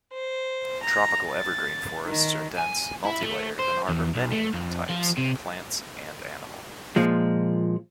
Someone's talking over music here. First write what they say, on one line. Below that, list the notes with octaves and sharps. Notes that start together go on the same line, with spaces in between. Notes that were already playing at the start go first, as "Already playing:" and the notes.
Tropical evergreen forests are dense, multi-layered, and harbour many types of plants and animal.
C5
A#5
A6
D#3
G#5
E4
A3
C5
E2
B1
A3
F2
F3
C3
A#2 F3 G#3